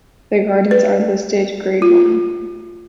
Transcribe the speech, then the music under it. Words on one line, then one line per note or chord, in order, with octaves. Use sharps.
The gardens are listed Grade One.
B4
F4